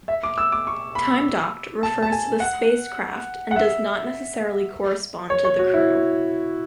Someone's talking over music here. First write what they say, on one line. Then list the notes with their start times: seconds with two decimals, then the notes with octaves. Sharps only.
"Time docked" refers to the spacecraft and does not necessarily correspond to the crew.
0.08 E5
0.23 D6
0.38 E6
0.52 D6
0.67 C#6
0.95 B5
1.83 A5
2.02 A5
2.12 G#5
2.40 F#5
3.51 F#5
3.56 E5
5.30 C#5
5.45 C#5
5.59 F#4
5.74 E4